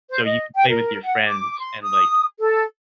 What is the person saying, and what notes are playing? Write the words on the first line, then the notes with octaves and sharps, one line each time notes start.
So, you can play with your friends and, like,
C5
D#5
G5
A#4
F#5
D6
C6
D#6
A4